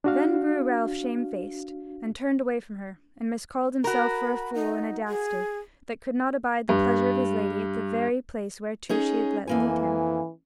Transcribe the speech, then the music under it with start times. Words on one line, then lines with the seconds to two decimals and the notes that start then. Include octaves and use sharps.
Then grew Ralph shamefaced and turned away from her, and miscalled himself for a fool and a dastard that could not abide the pleasure of his lady at the very place whereto she had let lead him.
0.04 D4 F#4 F5
3.84 F#4 A#4 B5
4.54 D#4
5.08 G#4
6.69 G2
8.89 C#4 D#4 G#4
9.47 F2 E3 A#3 G#5